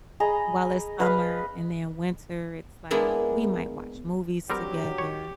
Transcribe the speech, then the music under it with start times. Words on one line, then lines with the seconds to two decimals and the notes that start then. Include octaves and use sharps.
while it's summer, and then winter, it's like, we might watch movies together,
0.20 G#4 D#5 A#5 B5
1.00 B4 D#5 F5 B5
2.91 G#3 A#3 B3 D4 E4
4.50 G2 F#3 G3 C4 G4 A#4
4.98 C#5